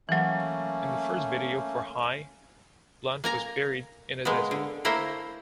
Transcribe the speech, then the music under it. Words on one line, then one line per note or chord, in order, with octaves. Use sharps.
In the first video for ‘‘High,’’ Blunt was buried in a desert.
E3 F#3 A3 A#3 C#4
A#3 G#5 A#5
G#3 A#3 B3
D3
A3 A#3 E4 C5 A#5